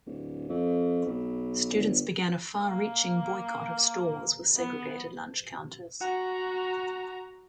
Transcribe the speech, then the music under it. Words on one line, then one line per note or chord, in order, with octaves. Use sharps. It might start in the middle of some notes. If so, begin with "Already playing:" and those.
Students began a far-reaching boycott of stores with segregated lunch counters.
D1
F2
B1
G1
A#3
B3
F#4 F#5 A#5